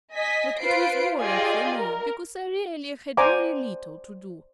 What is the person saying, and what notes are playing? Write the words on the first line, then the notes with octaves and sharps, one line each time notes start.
But it was boring for me, because I really had very little to do.
D#5 G#5 B6
F4 B4 C5 C7 D7
F4 G4 G#4 D5 D#5 G#5
A#4
C5 D5 F#5 G#5 A#5 D6